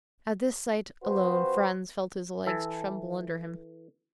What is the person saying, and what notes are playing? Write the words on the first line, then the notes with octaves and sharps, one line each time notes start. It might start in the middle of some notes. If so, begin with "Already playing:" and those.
At this sight alone Franz felt his legs tremble under him.
F3 C4 F#4 B4 C5
E3 A4